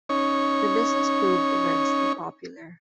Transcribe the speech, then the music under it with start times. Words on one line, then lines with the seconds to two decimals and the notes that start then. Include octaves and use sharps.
The business proved immensely popular.
0.09 C#4 D#4 C#5